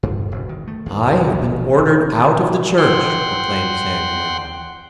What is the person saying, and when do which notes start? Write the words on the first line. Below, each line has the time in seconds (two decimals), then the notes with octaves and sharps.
"I have been ordered out of the church!" proclaimed Samuel.
0.03 G2
0.32 E1
0.49 D#3
0.67 A3
0.86 D#2
1.32 A#1
1.78 F1
2.78 F#5 G5 C6